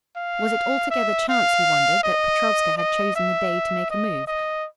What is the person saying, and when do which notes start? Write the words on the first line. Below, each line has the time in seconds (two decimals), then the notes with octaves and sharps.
Was it altogether chance, he wondered, that Petrovska had chosen the day to make a move?
0.17 F5
0.91 E5
1.29 F5
2.03 D#5
2.78 D#5
3.16 E5
3.90 D#5
4.27 D#5